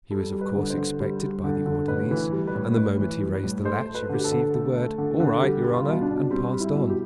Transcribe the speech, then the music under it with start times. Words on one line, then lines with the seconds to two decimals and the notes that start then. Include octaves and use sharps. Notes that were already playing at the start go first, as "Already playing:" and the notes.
He was of course expected by the orderlies, and the moment he raised the latch he received the word: 'All right, your honor!' and passed on.
0.11 G3 A4
0.33 G3
0.41 B4
0.55 D3
0.70 C5
0.77 D3
1.00 G3
1.22 G3
1.44 D3
1.66 D3
1.88 A2 B4
2.11 E3
2.33 G3
2.47 B4
2.55 A2
2.77 A2 B4
2.99 E3
3.21 G3
3.43 A2
3.65 A3 C5
3.87 A3
3.95 B4
4.09 D3
4.14 G4
4.24 A4
4.32 D3
4.54 A3
4.76 A3
4.98 D3
5.20 D3
5.42 G3 G4
5.64 G3
5.72 F4
5.87 B2
6.01 D4
6.09 B2
6.31 G3 C4
6.53 G3
6.60 E4
6.75 B2
6.90 G4